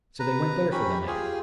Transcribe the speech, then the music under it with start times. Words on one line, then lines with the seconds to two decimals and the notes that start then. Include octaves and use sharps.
So they went there for the night.
0.20 B4 A#5
0.72 C#4 G4 B5
1.07 F4 G4 G#4 G#5